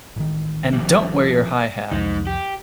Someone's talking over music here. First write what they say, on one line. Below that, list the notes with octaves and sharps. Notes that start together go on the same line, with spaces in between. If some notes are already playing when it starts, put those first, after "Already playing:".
And don't wear your high hat!
A1 D#3
F2 G3
C2 F2 G#3 D#4
G4